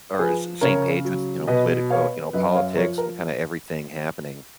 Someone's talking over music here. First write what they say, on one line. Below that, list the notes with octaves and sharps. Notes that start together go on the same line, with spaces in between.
or s same page with, you know, political you know, politics and kinda everything happening.
F3 G#4 B4
C#3 A#4 C#5
F#3
B2 B4 D#5
B3 C#5 F5
F#2 B4 D#5
C#5 F5
F3 A#4 C#5
A#4